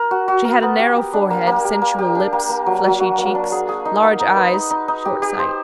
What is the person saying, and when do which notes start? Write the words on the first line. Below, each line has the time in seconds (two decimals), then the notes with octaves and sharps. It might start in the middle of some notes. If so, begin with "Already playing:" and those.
She had a narrow forehead, sensual lips, fleshy cheeks, large eyes, short sight.
Already playing: A#4
0.11 F#4
0.28 F#4
0.45 A#4
0.63 B3
0.79 G4
0.96 G4
1.13 D4
1.30 A#3
1.47 A#3
1.65 G4
1.82 A#3
1.99 G4
2.15 D4
2.33 A#3
2.49 A#3
2.66 F#3
2.84 F#3
3.00 F#4
3.18 A#3
3.35 D4
3.52 G#4
3.69 G#4
3.85 D#4
4.03 A#3
4.20 D#4
4.36 B4
4.54 D#4
4.71 D#4
4.88 D#4
5.05 G4
5.22 G4
5.39 C5